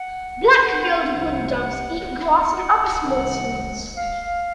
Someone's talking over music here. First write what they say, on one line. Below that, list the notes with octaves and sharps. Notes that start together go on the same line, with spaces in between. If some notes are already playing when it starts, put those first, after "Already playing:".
Black-billed wood doves eat grass and other small seeds.
Already playing: F#5
F#5
C2 C3 F3 G#3
F#5
F#5
C2 C3 D#3 G#3
F5